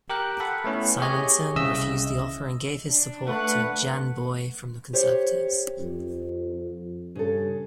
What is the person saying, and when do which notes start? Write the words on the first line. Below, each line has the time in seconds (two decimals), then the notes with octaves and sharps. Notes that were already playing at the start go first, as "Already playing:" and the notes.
Simonsen refused the offer and gave his support to Jan Boye from the Conservatives.
0.10 G4 A#4 G5 F#6
0.40 A4 F#5 B5
0.64 A3 B3 C#4 E4
1.00 G4 G#4 C#5 D#5
1.56 C2 C#3 D#5 E5 E6
2.89 D4
3.27 A3 B4 F#5
4.93 G4 C5 C#5
5.79 F2
7.15 G2 C#3 A4